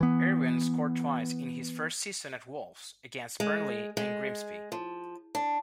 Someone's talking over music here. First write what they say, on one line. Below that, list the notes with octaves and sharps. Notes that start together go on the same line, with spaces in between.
Irwin scored twice in his first season at Wolves, against Burnley and Grimsby.
E3 B3
G#3
G#3
F3
D4